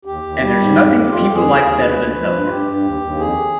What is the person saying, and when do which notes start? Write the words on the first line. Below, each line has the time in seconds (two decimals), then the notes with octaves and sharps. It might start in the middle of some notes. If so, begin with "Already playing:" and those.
And there's nothing people like better than failure.
0.05 D#2 G4
0.23 D#2
0.41 G3
0.58 G#2
0.75 F2
0.92 F2
1.09 F2 F4
1.21 G4
1.28 F2
1.33 G#4
1.45 D#2
1.61 D#2
1.79 D2 B4
1.96 D2
2.15 F3
2.31 G2
2.44 F4
2.49 G2 G4
2.66 G2
2.84 D#2
3.00 D#2
3.18 F2 G#4